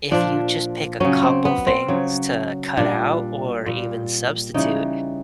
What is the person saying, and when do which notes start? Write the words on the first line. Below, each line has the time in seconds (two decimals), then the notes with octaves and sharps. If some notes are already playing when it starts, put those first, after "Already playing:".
if you just pick a couple things to cut out or even substitute,
0.11 A#2 F3 D4
1.00 C#3 F#3 C#4
1.22 C4
1.45 B3
1.67 C4
1.88 C#3 F#3
2.77 A#2 G3 D4
3.66 A#2 G3
4.54 C#3 E3 G3 D#4